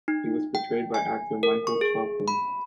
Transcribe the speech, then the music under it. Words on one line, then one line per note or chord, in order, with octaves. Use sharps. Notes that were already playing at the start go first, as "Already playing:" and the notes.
He was portrayed by actor Michael Troughton.
D#4
G5
G#5
A#4
C#6
G#4
B5